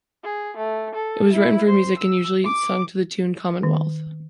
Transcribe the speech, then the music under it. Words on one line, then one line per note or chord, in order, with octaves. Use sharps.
It was written for music and usually sung to the tune "Commonwealth".
G#4
A3
A4
E4
C5
E6
D6
D#3